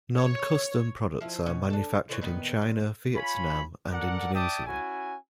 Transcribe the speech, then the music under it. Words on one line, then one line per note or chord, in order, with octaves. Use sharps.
Non-custom products are manufactured in China, Vietnam, and Indonesia.
C#5
F3 E4
B2 C#4
D4 A4
D3 E3 C#5
A#2 D#3 B3
A#2
F4 C#5 G#5 B5
A4 A#4 D5 F#5
D5 E5 G5 A5 D6 D#6
C#4 E4 F#4 G#5